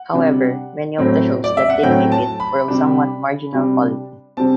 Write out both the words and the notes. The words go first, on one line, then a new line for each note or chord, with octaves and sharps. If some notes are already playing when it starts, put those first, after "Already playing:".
However, many of the shows that did make it were of somewhat marginal quality.
Already playing: F#5
C3 G3 D4
A2 F#3 C4
D5
E5
F#5
A2 F#3 C4 G5
A5
B5
C3 G3 D4
C3 G3 D4
C3 G3 C4 A5